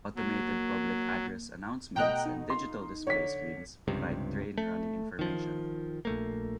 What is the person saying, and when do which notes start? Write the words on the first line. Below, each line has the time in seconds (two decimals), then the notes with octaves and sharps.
Automated public address announcements and digital display screens provide train running information.
0.16 F#3 A#3
1.96 B2 A3 D#5 G5 A#5 F#6
2.25 D#4
2.50 F4 C6
3.07 D3 C#5 B6
3.88 C#2 G2 C3
4.58 A3
5.19 D#3 F3
6.05 A#1 A3 A#3